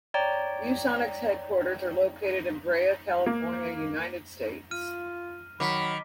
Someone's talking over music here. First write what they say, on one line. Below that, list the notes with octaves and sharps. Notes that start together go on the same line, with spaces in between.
ViewSonic's headquarters are located in Brea, California, United States.
C#5 D5 G5 A#5
A#3
F4 F6 D#7
D#3 F#3 B5 D6 B6